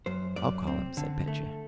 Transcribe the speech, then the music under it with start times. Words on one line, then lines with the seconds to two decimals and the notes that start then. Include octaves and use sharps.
"I'll call him," said Petya.
0.06 F#2 C5
0.36 F#2 D5
0.67 C4
0.97 D3
1.28 A3